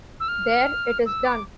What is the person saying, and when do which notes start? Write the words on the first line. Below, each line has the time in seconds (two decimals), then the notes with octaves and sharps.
There - it is done.
0.20 E6
0.28 F6
1.06 E6
1.25 D6